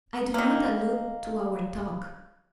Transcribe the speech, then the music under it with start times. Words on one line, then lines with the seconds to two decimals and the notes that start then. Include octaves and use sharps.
"I do not allude to our talk."
0.34 D#3 A#3